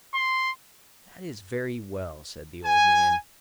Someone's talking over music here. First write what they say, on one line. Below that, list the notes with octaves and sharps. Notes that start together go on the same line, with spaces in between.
"That is very well," said the old man.
C6
G#5